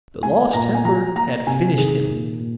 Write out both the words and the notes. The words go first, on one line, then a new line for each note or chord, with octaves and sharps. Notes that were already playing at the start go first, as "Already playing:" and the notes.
The lost temper had finished him.
G#3 G#5
A#2 A#5
G#5
F3 A#5
A#3 A#5
C3 G#5
D#3 G#4
A#2
A#2